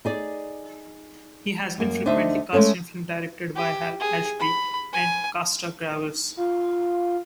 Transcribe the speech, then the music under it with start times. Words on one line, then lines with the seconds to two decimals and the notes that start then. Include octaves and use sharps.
He has been frequently cast in films directed by Hal Ashby and Costa-Gavras.
0.05 D#4 G#4 D5
1.78 F#2 A#3
2.05 D2 D4 D#4 C5 D#5 E5
2.53 G#3 A3 C#4 A4
3.56 G4
4.01 G#4
4.40 B5
4.93 G#5
6.37 F4